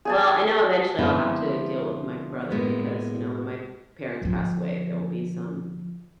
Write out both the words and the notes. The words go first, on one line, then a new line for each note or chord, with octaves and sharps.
Well, I know eventually I'll have to deal with my brother because, you know, when my parents pass away, there will be some
G#4 G#5 A5
D3 F3 G#3 B3 C4 E4
A2 G#3 A#3 B3
D3 F3